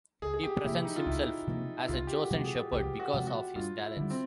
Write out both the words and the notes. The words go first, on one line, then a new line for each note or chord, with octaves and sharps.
He presents himself as a chosen shepherd because of his talents.
C#2 G#4
G#4
G4
C3 F3 A#3 E4
D#4
F4
C#2 E4
C3 F3 A#3
E4
C2 F4
G4
F#4
C3 F3 G#3
G#4
C2 G4
F#4
C3 F3 G#3
F#4
G2 F4
E4
D3 G3
C4